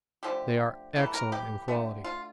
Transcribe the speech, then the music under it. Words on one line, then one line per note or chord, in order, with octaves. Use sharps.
They are excellent in quality.
D3 F3 A3 G4
E3 G3 A#3 A4
A#4
G4
D3 A3
F4